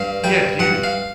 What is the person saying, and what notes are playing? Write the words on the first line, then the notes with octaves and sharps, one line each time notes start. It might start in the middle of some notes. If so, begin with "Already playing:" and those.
yeah, it's huge.
Already playing: G2 F5
G3 G5
G2 F#5
F5